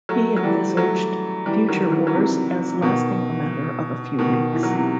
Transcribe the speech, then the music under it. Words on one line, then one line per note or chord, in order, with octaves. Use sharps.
He envisaged future wars as lasting a matter of a few weeks.
F#3 A3
F#3
E3 G3
F#3 A3
E3 G3
D#3 F#3
E3
D#3 F#3
F#3
C3 E3
B2 D#3
B2 D#3
E3
F#3
C3 E3